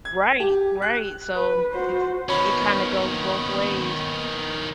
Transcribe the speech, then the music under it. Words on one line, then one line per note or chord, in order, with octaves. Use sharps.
Right, right, so, it's it kinda goes both ways.
G#6
G4
F#6
B4
F#4 C5
D#3 A#3 B3 C#4 C#5 B5